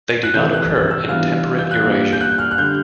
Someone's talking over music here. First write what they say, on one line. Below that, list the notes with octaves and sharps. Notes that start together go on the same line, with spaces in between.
They do not occur in temperate Eurasia.
F#6
C3 E3 A3 G6
F#6
E6
E3 G3 B3 D4 F4 F6
G6
F#6
A#2 G3 A#3 D4
G6
F#6
F6
F#6
D3 G3 G6